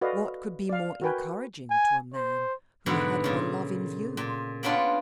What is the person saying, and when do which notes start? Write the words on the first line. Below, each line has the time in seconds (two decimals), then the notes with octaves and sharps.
What could be more encouraging to a man who had her love in view?
0.01 F#4 A4 B4 D5 D#5 F5
0.69 D5 F5
1.02 F#4 A#4 B4 G5 G#5
1.70 G#5
2.14 C5
2.86 G#2 B2 D3 E3 B3
3.24 A#2 C#3
4.17 A#2
4.63 A#3 B3 C#4 D4 F4